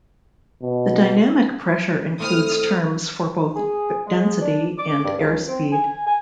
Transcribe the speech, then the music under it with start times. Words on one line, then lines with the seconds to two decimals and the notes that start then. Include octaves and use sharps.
The dynamic pressure includes terms for both density and airspeed.
0.63 B2
2.20 A3 C4 E4 D#6 F6
3.56 G#4
4.06 G#3
4.40 D4
4.78 D6
5.04 G2
5.17 C#2
5.47 C4
5.73 G#5
6.06 G#5